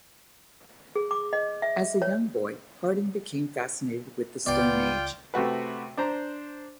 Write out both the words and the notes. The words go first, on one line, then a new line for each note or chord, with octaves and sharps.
As a young boy, Harding became fascinated with the Stone Age.
G#4
D6
D#5
E5
C#5
C#2 B3 F4 D5 G5
C3 A3 F#4 B4
D4 C5 A#5